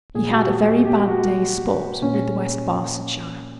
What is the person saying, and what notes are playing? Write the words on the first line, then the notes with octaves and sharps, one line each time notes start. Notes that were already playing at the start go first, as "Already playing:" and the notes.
He had a very bad day's sport with the West Barsetshire.
A#2 G#4
F#4
G4
G4
G4
F#4
A#2 C#4